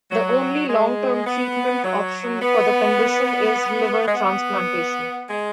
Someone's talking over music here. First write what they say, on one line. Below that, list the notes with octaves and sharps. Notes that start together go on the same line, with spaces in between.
The only long-term treatment option for the condition is liver transplantation.
F#3
G#3
B3
F#3
B3
G#3
B3
G#3